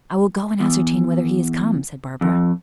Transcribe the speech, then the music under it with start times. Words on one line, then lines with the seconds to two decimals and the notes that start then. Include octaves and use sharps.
"I will go and ascertain whether he is come," said Barbara.
0.60 E2
2.21 F2